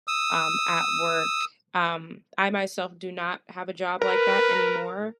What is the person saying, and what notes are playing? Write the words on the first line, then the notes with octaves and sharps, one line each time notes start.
um, at work. Um, I myself do not have a job like that anymore,
D#6 E6
A#4 B4